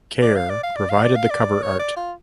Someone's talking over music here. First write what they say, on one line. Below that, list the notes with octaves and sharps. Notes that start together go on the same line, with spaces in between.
Kerr provided the cover art.
D5
F5
D5
F5
D5
F5
D5
F5
D5
C#5
D5
F4